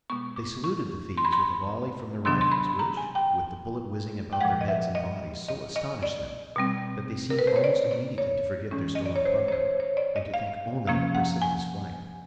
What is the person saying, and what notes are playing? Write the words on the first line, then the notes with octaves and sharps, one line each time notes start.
They saluted the thieves with a volley from their rifles, which, with the bullet-whizzing about their heads and bodies, so astonished them, that they seemed almost immediately to forget their stolen property, and to think only of a precipitous flight.
B2 G#3 B3 C#6
D6
C#6
C6
B5
C6
C3 D#3 F#3 B3 D4 C6
C6
B5
A#5
G#5
G5
G5
A#2 F3 G#3 F#5
D#5
E5
D#5
D#5
D#5
D5
B2 G3 C4
A#4
B4
C5
C#5
D5
D5
C#5
A2 E3 G#3 C#4
D#5
D5
C#5
C5
C#5
C5
C#5
D5
D#5
F5
C3 F3 A#3 C#4 F5
F#5
G#5